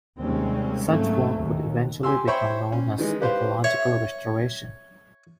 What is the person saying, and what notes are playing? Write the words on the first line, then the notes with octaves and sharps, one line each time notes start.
Such work would eventually become known as ecological restoration.
D#2 C3 G3 G#3 C4 C#4
G#1 F#3 A3 A#3 C#4
D#2
G4 G#5 C6 E6
C5 C#5 E5 G5 B5 C#6
C#4
D#3 E3 G#3
G4 B4 C5 F5
C#5 E5